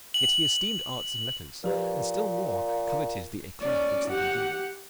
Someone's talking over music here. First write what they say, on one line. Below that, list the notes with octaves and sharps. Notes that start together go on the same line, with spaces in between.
Yet he esteemed arts and letters, and, still more, coveted the eclat which they could give.
F#7
A#2 F3 G4 B4
C#4 D5
G4 F#5